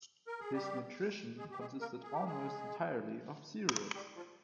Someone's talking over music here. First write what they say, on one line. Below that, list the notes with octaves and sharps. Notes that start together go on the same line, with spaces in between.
His nutrition consisted almost entirely of cereals.
A#4
G#4
G3 G4
G#3 G#4
G4
G#3 G#4
A#3 A#4
G#4
G4
G#3 G#4
G3 G4
F3 F4